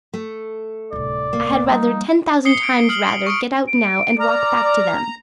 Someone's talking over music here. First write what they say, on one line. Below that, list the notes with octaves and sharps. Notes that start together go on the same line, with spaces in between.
I had rather, ten thousand times rather, get out now, and walk back to them.
A3
D1 C2 D5
A#3
F3 G3 D#4
D#6 C7 C#7 G7
D7
D#6 F6 F#7
C#6 D#6 D7
D7
D5 A#5 F6